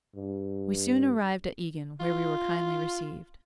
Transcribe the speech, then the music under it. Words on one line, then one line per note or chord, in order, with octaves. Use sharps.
We soon arrived at Egan, where we were kindly received.
G2
F4